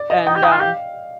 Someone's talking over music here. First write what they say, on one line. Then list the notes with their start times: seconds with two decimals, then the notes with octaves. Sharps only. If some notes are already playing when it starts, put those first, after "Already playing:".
and, um
Already playing: D5
0.10 D#5
0.27 D#4 G5
0.35 G4
0.43 D#4 G5
0.51 F4
0.60 G4 F5